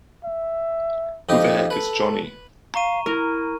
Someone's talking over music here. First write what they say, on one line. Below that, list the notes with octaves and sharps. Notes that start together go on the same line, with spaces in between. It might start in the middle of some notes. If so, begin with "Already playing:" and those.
Who the heck is Johnny?!
E5
F2 D#4 G4
A4 B4
F5 A#5 C#6 D#7
E4 A#4